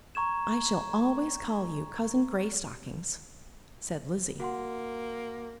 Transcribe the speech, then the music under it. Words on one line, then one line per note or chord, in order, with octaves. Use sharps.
"I shall always call you Cousin Greystockings," said Lizzie.
A#5 C#6 G#6 E7
A#3 F#4 F#5 C6